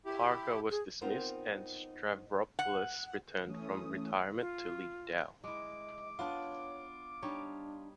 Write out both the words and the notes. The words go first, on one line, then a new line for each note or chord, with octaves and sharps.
Parker was dismissed and Stavropoulos returned from retirement to lead Dow.
E4 G4
G#4
B3 C4 D#4 F4 A#4 C5
F#5
E3 A3 C#4 D#6
F4
G#3 E4 D#5 D6
B3 D4 F4 C#5
G3 D4 D#4 C#5